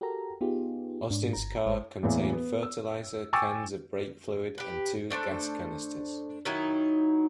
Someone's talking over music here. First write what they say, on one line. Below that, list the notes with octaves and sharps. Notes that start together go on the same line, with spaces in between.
Austin's car contained fertilizer, cans of brake fluid, and two gas canisters.
F#4 G4 A4 A#4 A#5
B3 D#4 F4 G4 G#4
G#2 D4
G1 A#5
G#1 G#3 C5
E2 A2 E3 A#3
B3
E6
G5 G#5 C#6 D6 E6 A6
G4 B4
A3 D4 A4 C5
D#3 F#3 D#4 E4